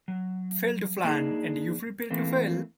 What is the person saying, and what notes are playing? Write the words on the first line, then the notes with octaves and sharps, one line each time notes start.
Fail to plan, and you Prepare to fail.
F#3
A#3 D4 D#4 G#4
E3 A3 A#3 C4